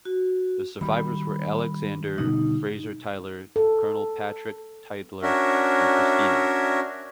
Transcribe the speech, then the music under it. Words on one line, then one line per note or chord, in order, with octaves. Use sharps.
The survivors were Alexander Fraser Tytler, Colonel Patrick Tytler, and Christina.
F#4
D#3 G3 B5
B2 D3 G3 D#4
A4
C#4 D4 F#4 A#4 E5